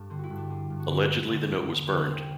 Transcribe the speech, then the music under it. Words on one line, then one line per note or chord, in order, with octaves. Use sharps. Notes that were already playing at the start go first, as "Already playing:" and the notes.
Allegedly, the note was burned.
Already playing: G2 D4 A4
D3 C4
E4 F#4
G2
D4
D3
G2
F#4
D3 E4
F#4
D3
B4
D3 C5
E2
E2
D3
C2 C5